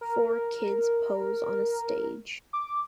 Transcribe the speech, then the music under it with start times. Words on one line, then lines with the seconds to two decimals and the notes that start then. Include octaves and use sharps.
Four kids pose on a stage.
0.01 A#4
2.53 D6